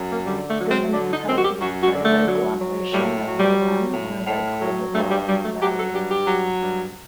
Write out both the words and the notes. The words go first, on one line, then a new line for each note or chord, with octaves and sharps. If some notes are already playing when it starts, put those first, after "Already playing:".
The municipality is part of the agglomeration of Lausanne in the Gros-de-Vaud valley.
Already playing: F#2
A#3
D3 G3
A3
F#3
C4
D3 D4
D#4
F#2 C4
F#4
G4
F#2 F#4
F#4
D3
A3
F#3
F#3
A2 G3
F#3
G3
F#3
A2
A2
F#3
G2 A3
G3
F#3 G3
A3
F#3 G4
A4
G2 G4
G4
F#3
G2